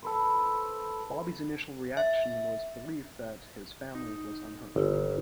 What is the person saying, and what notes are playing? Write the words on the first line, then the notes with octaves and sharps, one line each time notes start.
Bobby's initial reaction was relief that his family was unhurt.
A4 B4 C5
E5
D#4
G1